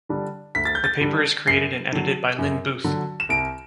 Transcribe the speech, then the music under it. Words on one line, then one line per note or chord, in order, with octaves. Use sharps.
The paper is created and edited by Lynn Buth.
D3 G3 D4
D2 B6
A6
G6
A6
D3 G3 D4
F#2 C7
D3 F#3
F#2
D3 F#3
E7
C2 D7